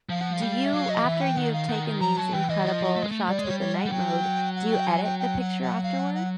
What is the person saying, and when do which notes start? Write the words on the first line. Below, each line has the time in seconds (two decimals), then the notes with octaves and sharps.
do you after you've taken these incredible shots with the night mode, do you edit the picture afterward?
0.09 F3 F5
0.21 F#5
0.32 F5
0.42 G3
0.65 E5
0.73 F#3 F5
0.90 D#5
0.97 F3
1.05 E3 E5
1.21 G5
1.37 D#3 F#5
1.53 F5
1.69 D#3 F#5
2.01 F3 A#5
2.17 F#3 A5
2.33 E3 G5
2.49 E3 D#5
2.58 F#3
2.65 F3
2.96 A3
3.03 G#3
3.11 A3
3.29 G3 D5
3.39 G#3
3.44 C#5
3.50 G3
3.60 C#5
3.75 F#5
3.85 G3
3.92 F#3 G5
4.56 F#5
4.72 G5
4.87 G#5
5.04 G5
5.19 G5
5.40 F#5
5.62 F#5
5.83 F5
5.99 F#5
6.15 F#5